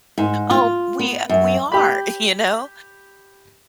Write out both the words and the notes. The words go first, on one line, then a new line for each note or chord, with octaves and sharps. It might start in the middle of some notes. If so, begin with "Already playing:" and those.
Oh, we a we are, you know?
G#2
F4
B3
F#2
G4 B5